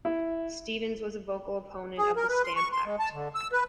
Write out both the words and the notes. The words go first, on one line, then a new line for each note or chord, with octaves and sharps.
Stevens was a vocal opponent of the Stamp Act.
E4
G#4
A#4
B4
C6
C#6
C6
G#3
A5
D3
E6
B4